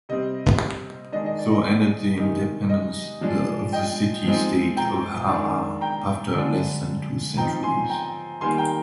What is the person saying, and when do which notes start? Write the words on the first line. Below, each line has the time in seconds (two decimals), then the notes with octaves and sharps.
So ended the independence of the city-state of Harar after less than two centuries.
0.09 C3 G3 C4 D#5
1.12 D#3 G#3 D4 D#5
1.26 D#5
1.39 D5
1.52 D#5
2.16 C3 D#3 G#3 D#4
2.69 D#5
3.21 F3 G#3 D4
3.73 D#5 G5
4.24 F3 G#3 C4 D#4
4.77 G5 A#5
5.29 D#3 G#3 D4
5.81 G5 A#5
6.33 D3 G#3 D4
7.37 F3 C4 D#4 G5 A#5
7.63 G#5 C6
7.90 G5 A#5
8.41 D#3 G3 A#3 G#5 C6
8.58 G5 A#5